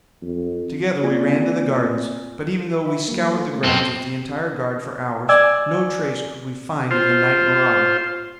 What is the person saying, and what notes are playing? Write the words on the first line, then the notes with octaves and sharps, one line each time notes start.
Together we ran to the gardens, but even though we scoured the grounds with the entire guard for hours, no trace could we find of the night marauder.
F2
A#3 C4 F4 D5 G#5 G#6
E5 B5
F#3 A#3
A3 F4
A#3 C#4
F#2 A#2 C4 A4
D5 G#5 E6
F4 C5